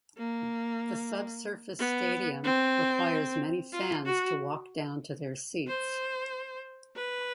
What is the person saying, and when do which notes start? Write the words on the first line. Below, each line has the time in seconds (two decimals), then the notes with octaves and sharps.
The subsurface stadium requires many fans to walk down to their seats.
0.17 A#3
1.79 B3
2.43 C4
3.72 F4
4.05 F#4
5.67 C5
6.96 B4